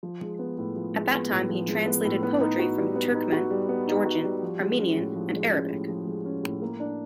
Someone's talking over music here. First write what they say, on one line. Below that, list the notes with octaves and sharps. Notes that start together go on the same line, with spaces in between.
At that time he translated poetry from Turkmen, Georgian, Armenian and Arabic.
F3
G#3
B3
A2
F3
G#3
B3
A2
F3
G#3
B3
A2
B3
D#4
F#4
G3
B3
D#4
F#4
G3
B3
D#4
F#4
G3
F3
G#3
C#4
A2
F3
G#3
C#4
A2
F3
G#3
C#4
A2
A#3
D4